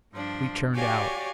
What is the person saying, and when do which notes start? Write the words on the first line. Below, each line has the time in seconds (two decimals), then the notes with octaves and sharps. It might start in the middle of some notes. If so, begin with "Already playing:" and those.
We turned out.
0.12 G2 F3 D4
0.74 F#4 G4 C#5 D5 F5 G#5